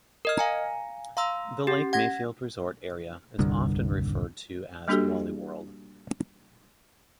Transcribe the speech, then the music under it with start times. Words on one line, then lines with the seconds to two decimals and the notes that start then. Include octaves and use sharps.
The Lake Mayfield Resort area is often referred to as 'Wally World'.
0.25 A#4 D#5 F6
0.38 F5 G#5 A#5
1.17 F5 A#5 C6 E6
1.67 C#4 G4
1.93 F#5 G#6 A#6
3.38 D#1 C2 G2 D3
4.88 G3 A#3 D4 F#4 G4 A4